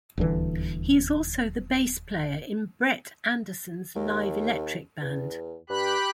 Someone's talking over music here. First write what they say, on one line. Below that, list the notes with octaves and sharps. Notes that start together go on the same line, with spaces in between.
He is also the bass player in Brett Anderson's live electric band.
D#1 D2 D3 E3
D#2
E2
G2 G4 B5 F#6